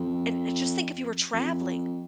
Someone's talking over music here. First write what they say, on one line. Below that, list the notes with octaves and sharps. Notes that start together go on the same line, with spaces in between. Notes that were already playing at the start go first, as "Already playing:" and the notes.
and, uh, just think if you were traveling.
Already playing: F2
F2